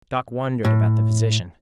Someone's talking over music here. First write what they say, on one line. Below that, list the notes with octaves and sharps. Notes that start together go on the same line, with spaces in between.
Doc wondered about the physician.
A2